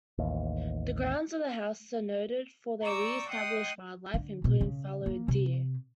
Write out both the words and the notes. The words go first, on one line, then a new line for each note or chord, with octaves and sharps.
The grounds of the house are noted for their re-established wildlife, including fallow deer.
A1 D#2
D5 A#5 C#6 D6 E6 G6
D#5 F#5 G5 C6 D#6
D3
B2
C#3
A#3
C3